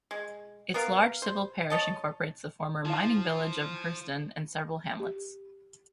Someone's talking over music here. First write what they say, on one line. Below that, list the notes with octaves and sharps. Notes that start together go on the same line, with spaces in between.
Its large civil parish incorporates the former 'mining village' of Hersden and several hamlets.
G#3
B3 A#4 F5
C5
C#5 D#5 A5
F3 D#4 E4 F5
G4